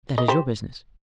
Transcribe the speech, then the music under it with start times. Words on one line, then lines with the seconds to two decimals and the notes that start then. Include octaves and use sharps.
"That is your business."
0.18 D#5
0.28 G4 C5